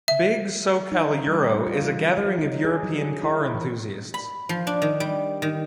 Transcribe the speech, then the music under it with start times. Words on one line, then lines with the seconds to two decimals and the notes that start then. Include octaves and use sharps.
Big SoCal Euro is a gathering of European car enthusiasts.
0.08 E5
0.92 D#4
1.27 G3
1.67 F4
1.82 E3
2.18 F#3
2.39 D#4
2.64 G#4
2.83 F#3
3.23 E4
3.55 E3
4.14 B5
4.49 F3
4.67 D4
4.82 D#3
5.00 G3
5.42 D#3